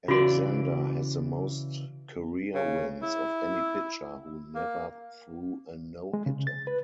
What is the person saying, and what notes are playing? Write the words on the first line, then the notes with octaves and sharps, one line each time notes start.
Alexander has the most career wins of any pitcher who never threw a no-hitter.
C#3 E3 F4 F#4 D5
C#3
E4
A#3
G#3
C#3
A6
B4